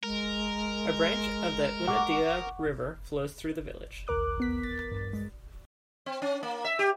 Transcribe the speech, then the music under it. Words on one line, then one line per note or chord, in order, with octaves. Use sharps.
A branch of the Unadilla River flows through the village.
G#3 A#4
F#5 C#6 D6
A#1 D#2 A#4 D6 F#6
E2 B3 B6
A6
G2
G#3
C4
C#4
A#3
E5
G4